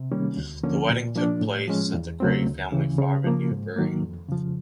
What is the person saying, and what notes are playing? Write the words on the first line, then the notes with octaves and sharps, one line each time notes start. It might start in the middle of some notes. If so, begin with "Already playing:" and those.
The wedding took place at the Gray family farm in Newbury.
Already playing: C3
D#3 G3 A#3 C#4
D2
D3 F3 A#3 C#4
A#2
F3 A#3 D4
A2
F3 G#3 C#4
E2
C#3 F#3 A3 C4
D2
C#3 E3
C#3
F3 A#3
G#2
D#3 F#3 A#3
F2
C#3 F3